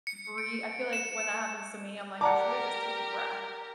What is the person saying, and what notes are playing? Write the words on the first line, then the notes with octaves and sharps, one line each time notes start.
brea I feel like when that happens to me, I'm like I shoulda just took a breath
C#7
D7
E7
G4 A#4 D5 F#5 A5 A#5 D6